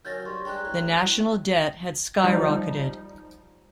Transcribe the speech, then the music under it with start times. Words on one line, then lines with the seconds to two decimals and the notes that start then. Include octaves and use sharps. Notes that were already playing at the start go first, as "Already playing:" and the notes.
The national debt had skyrocketed.
0.05 D#3 F#3 C#4 G6 A6 A#6
0.26 G2 C6 C#6
0.45 G2 G3 G#3 G5 A#5 F#6
0.65 A2
2.23 F3 G3 D#4